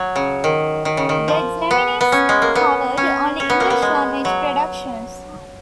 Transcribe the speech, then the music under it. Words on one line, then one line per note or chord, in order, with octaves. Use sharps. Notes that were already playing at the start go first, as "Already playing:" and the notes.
The Geminis covered only English-language productions.
Already playing: F#3
C#3
D#3
D#3
C#3
D#3
F3
B3
B3
C#4
G#3
A#3
B3
C#4
C#4
B3
A#3
B3
G#3
F#3